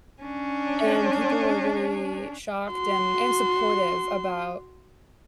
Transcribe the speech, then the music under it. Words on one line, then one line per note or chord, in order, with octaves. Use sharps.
And people were really shocked and and supportive about
C#4 D4
F#4 C6